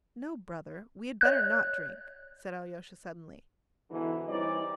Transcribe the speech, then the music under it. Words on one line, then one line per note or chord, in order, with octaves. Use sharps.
"No, brother, we had better not drink," said Alyosha suddenly.
C#5 F#6
G#2 B2 D3 E3
E3 G3 C4 D#4 C#5 D5